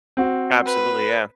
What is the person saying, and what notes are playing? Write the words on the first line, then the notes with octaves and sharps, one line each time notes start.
Absolutely, yeah.
C4 F#4
B4